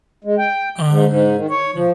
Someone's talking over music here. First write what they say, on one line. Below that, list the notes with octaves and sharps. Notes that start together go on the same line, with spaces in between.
Um. Hmm.
G#3
G5
G#2
G#2
D#3
C#5
F3